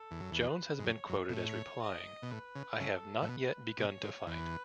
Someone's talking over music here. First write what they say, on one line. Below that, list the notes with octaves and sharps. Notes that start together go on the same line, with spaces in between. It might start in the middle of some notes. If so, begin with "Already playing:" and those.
Jones has been quoted as replying, "I have not yet begun to fight".
Already playing: A4
E2
F#2
E2 B4
G#2
F#2 C#5
F#2
B2
A2 C#5
D#5
B2
A2 B4
C#3
C#3 A4
A2
B2 B4
B2 C#5
G#2
E2 B4